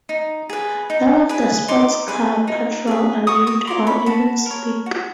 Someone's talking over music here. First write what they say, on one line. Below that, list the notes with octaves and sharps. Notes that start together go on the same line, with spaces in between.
None of the Sports Car Patrol are named or even speak.
D#4
G#4 B4
D#4
G#4 B4
D#4 C6 D6
G#4 B4
D#4
G#4 B4
F#4 C#6 D#6
C#6 D#6
A#4 C#5 C6 D6
B5 C#6
F#4 A5 B5
A#4 C#5
F#4